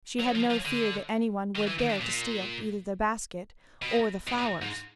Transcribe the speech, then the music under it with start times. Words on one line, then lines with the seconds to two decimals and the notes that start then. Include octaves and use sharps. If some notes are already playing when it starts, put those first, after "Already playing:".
She had no fear that any one would dare to steal either the basket or the flowers.
0.20 F#3
0.35 F3
0.51 F3
0.65 D3
1.56 D#3
1.67 E3
1.79 D#3
1.90 D3
2.01 A#2
3.82 B2
4.28 B2
4.38 A#2
4.62 G#2